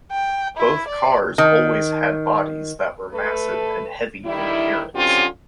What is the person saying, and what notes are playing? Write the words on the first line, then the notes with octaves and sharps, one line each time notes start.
Both cars always had bodies that were massive and heavy in appearance.
G5
E4
D5
D#3
A3 A4 B4
D3 D#3 G3 E4
D3 F#3 C4 C#4 F4 G4